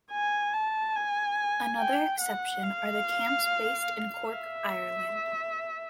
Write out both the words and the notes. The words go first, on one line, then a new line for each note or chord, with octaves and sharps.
Another exception are the camps based in Cork, Ireland.
G#5
A5
G#5
G5
F#5
F5
E5